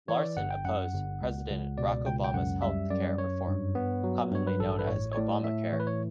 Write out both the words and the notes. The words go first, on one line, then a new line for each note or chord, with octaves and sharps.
Larson opposed President Barack Obama's health care reform, commonly known as Obamacare.
E3 C#5
D5
G1 F#5
G5
F#2 F#5
G1
C#2
C#2
B2 D5
C#2 G5
G5
F#2 F#5
G3 E5
F#2 D5
F#2 C#5
G2
B3
F#3
G2 C#5
B4
A1 A4
B4
A2 C#5
C#5
A2 D5
A2 E5
E3 C#5
B4
C#5